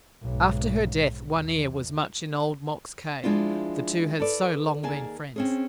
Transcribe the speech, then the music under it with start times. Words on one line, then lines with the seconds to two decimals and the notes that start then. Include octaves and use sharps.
After her death One-Ear was much in Old Mok's cave, the two had so long been friends.
0.23 B1 G#2
1.35 E2
3.24 F3 G#3 D4 E4 F4
4.20 A4 B4 D5
4.83 D#2 A#3 G#4 G#5 A5
5.36 C4 C#4 G#4